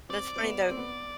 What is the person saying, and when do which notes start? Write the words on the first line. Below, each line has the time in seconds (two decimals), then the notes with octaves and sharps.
That's funny, though.
0.09 C4 D5
0.36 C4
0.44 B3
0.70 C4
0.77 B3